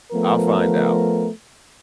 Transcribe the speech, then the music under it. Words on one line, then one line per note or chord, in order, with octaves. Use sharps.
I'll find out.
F3 A3 B3 A#4